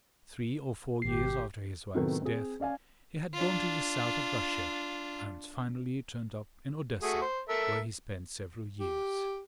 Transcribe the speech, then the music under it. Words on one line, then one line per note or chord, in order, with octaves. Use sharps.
Three or four years after his wife's death he had gone to the south of Russia and finally turned up in Odessa, where he spent several years.
G#1 G4 C7
A2 C3 D#3 F#3 A3 B3
C4 G#4
C#4 D5 F5 G#5
D4 F4
A3 F#4 G#4
C5
A4 A#4 E5
G4